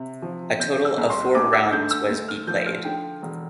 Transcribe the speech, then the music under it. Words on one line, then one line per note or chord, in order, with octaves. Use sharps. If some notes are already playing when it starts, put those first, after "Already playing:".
A total of four rounds was be played.
Already playing: C3
F3
C3 G6
E6
C2
C6
D2 D6
E6
D3 G6
E6
D2
F6
F3 G6
F6
D3 G5
E1